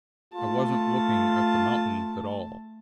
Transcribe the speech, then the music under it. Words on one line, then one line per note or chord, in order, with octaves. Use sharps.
I wasn't looking at the mountain at all.
A3 F4 A5